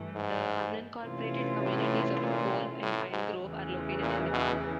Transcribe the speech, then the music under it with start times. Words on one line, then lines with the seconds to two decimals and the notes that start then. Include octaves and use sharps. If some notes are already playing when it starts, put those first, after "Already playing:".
The unincorporated communities of Kolb and Pine Grove are located in the town.
Already playing: G2 E3 A3
0.15 G#2
1.04 C3 E3 A3 C#4 F4
1.63 A2
2.23 A#2
2.82 A2
3.12 G#2
3.41 E2 C#3 E3 A3
4.02 A#2
4.31 B2